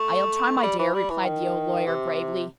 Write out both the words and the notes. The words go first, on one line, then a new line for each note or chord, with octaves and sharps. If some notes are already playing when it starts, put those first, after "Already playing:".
"I'll try, my dear," replied the old lawyer, gravely.
Already playing: A3
A3
G3
E3
G3
E3
D#3
C3